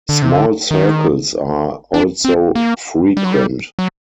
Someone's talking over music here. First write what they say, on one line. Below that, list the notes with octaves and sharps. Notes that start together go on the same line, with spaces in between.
Small circles are also frequent.
D3
C3
D3
D#3
D4
C4
A#3
G3
F#3
G3
F#3